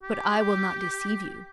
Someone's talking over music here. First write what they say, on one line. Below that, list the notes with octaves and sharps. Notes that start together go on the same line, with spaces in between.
But I will not deceive you.
G4